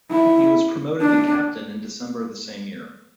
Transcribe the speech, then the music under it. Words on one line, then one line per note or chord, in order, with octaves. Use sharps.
He was promoted to captain in December the same year.
E4
D4